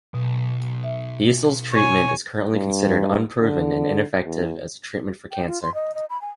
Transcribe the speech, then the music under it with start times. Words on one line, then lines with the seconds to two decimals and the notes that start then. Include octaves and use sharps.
The Issels treatment is currently considered unproven and ineffective as a treatment for cancer.
0.14 B1 B2
0.84 E5
1.72 C#5 G#5
2.54 G2
3.41 D3
4.26 E2
5.31 G5
5.47 F4
5.62 C6
5.75 D#5
5.95 D#5
6.10 B5
6.22 G#5